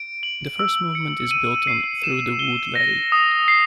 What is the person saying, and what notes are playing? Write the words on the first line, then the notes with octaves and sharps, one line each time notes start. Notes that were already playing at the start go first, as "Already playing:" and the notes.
The first movement is built on "Through the Wood Laddie".
Already playing: D7
F#7
E6
C#7
D#7
C7
E7
G7
A#6
D#6
C7